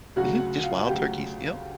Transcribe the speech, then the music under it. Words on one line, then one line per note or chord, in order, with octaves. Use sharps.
Mhm, just wild turkeys, yep.
D2 C#3 F#3 F#4 F#5
F#4 F#5
F4 F5
D2 C#3 F#3 G4 G5